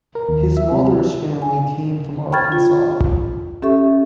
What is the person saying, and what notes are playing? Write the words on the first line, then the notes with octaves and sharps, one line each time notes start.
His mother's family came from Arkansas.
A#4
D#2
E5
C3
G#5
G5 B5 C#6 F6 G#6 A6
F4
C#4 G4 A4 E5 C#6